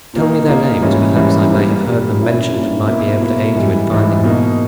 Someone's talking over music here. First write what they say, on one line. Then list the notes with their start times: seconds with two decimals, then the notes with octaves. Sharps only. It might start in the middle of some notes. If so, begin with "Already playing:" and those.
"Tell me their names; perhaps I may have heard them mentioned and might be able to aid you in finding them."
0.14 A#2 A#3 D#4
0.48 A#2 A#3 D#4
0.82 G#2 E3 G3 A#3 C#4
1.16 G#2 E3 G3 A#3 C#4
1.50 G2 G3 A#3
1.85 G2 G3 A#3
2.19 A#2 A#3 C#4 E4
2.53 A#2 A#3 C#4 E4
2.87 B2 A#3 E4
3.21 B2 A#3 E4
3.55 G#2 E3 G3
3.90 G#2 E3 G3
4.24 B2 A#3 D#4